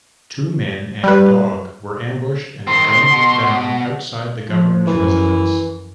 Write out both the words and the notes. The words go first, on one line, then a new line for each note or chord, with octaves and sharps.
The two men and dog were ambushed and gunned down outside the Governor's residence.
G3 B4
D#3 C4 C6
B2
F3
F#2 E3